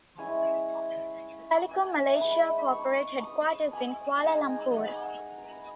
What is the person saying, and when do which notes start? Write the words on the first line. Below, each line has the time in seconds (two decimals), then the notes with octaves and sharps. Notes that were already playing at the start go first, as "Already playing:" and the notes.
Telekom Malaysia corporate headquarters in Kuala Lumpur.
0.18 G#3 C#4 E4 G#5
1.71 G#5
1.96 E5
2.21 G#3 D#4 B5
2.72 C#6
3.23 D#6
3.73 G#5
4.19 A#5
4.24 G#3 D#4 G#5
4.50 G#5
4.76 F#5
4.87 G#5
4.99 F#5
5.38 A#5
5.51 B5